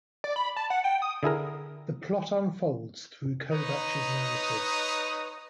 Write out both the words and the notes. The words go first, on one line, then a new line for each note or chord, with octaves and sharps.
The plot unfolds through Kovacs' narrative.
D5
B5
A5
F#5
G5
D#6
D3 E4 G#4 A#4
D#4 B4 C#5 D#5 A#5 D#6